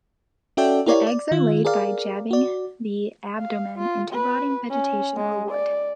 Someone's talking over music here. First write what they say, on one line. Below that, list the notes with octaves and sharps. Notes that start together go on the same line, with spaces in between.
The eggs are laid by jabbing the abdomen into rotting vegetation or wood.
C#4 F#4 A4 D5 E5 G5
E4 G4 A#4 C#5 D5
D5
D#3 F4
G#4 A#4 D5 F5
F#4 D5
F5
F4
B4
C#4
G#3
D5